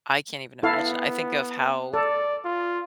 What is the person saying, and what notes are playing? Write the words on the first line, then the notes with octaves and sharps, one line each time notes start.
I can't even imagine I think of how
B3 E4 A4 F5
A4 D5
F4